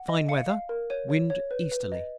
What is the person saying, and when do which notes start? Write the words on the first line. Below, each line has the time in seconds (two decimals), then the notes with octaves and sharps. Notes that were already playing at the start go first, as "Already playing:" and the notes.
Fine weather: wind easterly.
Already playing: F#5
0.08 D#5
0.29 F5 C#7
0.49 F5
0.69 A#4
0.90 C#5 D#7
1.10 C#5
1.30 C#5
1.51 B4
1.72 B4
1.92 D#5